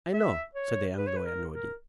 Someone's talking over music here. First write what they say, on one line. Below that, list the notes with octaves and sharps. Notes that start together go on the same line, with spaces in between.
"I know," said the young lawyer, nodding.
E5
C#5
B4
C#5
B4
A#4
A#4